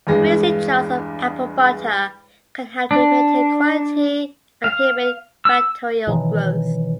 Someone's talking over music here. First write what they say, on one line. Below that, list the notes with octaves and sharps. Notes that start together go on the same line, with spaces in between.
Freezing jars of apple butter can help to maintain quality and inhibit bacterial growth.
E2 G2 G#3 A#6
D4
F5
E6
B2 D#3 E3 F#3